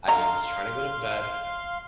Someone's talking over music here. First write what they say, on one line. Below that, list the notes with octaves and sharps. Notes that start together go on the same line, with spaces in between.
I was trying to go to bed,
D3 D#4 F5 A#5 C6